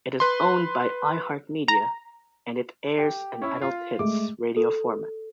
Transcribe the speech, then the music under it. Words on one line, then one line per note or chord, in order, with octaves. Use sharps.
It is owned by iHeartMedia and it airs an adult hits radio format.
B4 C6
A#5
G4
C#4 E4
F4
G#3 A3 D6
A4